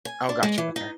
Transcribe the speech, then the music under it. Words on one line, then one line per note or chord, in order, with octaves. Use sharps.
Oh, gotcha, okay.
G#5
D4
G#3
E3
D#4